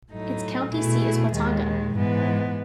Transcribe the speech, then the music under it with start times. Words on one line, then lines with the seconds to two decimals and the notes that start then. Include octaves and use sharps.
Its county seat is Watonga.
0.11 A2 F#3 A3 D#4
0.72 B2 A3 E4 G#4
1.33 D#2 D#3 G#3
1.93 G#2 E3 B3